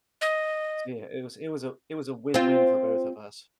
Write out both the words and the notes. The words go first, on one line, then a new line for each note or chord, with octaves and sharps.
yeah, it was it was a it was a win-win for both of us
D#5
C4 F4